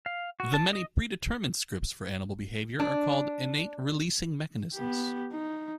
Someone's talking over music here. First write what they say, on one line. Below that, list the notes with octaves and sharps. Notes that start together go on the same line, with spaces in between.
The many predetermined scripts for animal behavior are called innate releasing mechanisms.
F5
F#4
A5
D#5
D4
B3 G4
D#4